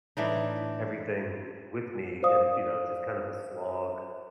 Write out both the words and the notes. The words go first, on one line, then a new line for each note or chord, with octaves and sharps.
everything with me and, you know, it's just kind of a slog
A2 E3 D4 D#4
C5 D5 F5 D#6